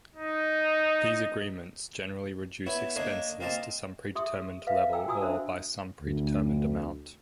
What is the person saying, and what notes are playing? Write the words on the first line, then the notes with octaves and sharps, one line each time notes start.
These agreements generally reduce expenses to some pre-determined level or by some pre-determined amount.
D#4
B3 E4 C#5
A#3 D4 C#5 D#5
A#3 C4 F4 D#5 A5
G4 E5 C6 D#6
B4 E5 F5
G5 G#5 A#5 E6
F#4 G#5 A#5 D#6 E6
D4 C5 E5
D2